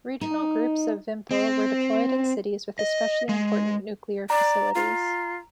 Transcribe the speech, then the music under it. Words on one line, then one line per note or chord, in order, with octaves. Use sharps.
Regional groups of Vympel were deployed in cities with especially important nuclear facilities.
D#4
C4
D#5
G#3
D5 A#5
F4